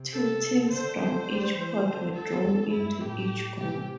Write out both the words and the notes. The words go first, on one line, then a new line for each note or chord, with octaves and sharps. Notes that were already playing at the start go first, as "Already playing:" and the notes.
Two teams from each pot were drawn into each group.
Already playing: C3
A4
D3 C5
D3 C5
G3
E3
D3
A4
E2
G2 E4
A2 G4
C3 G4